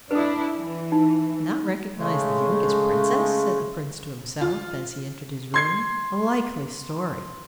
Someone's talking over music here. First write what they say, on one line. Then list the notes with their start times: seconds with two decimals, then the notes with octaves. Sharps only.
Not recognise the youngest princess!' said the Prince to himself, as he entered his room, 'a likely story!'
0.11 D4 E4 A4 B4
0.55 E3
0.92 D#4
1.96 C#3 G#3 A3
4.41 F4
5.54 C6 G#6 C7